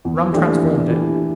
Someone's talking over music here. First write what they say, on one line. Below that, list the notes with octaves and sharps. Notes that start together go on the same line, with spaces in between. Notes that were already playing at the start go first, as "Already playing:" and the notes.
Rum transformed it.
E2
E3 A3 D4 G4
E2
E3 A3 D4 G4